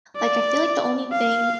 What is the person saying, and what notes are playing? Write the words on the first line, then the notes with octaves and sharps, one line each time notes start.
Like I feel like the only thing
D5
F5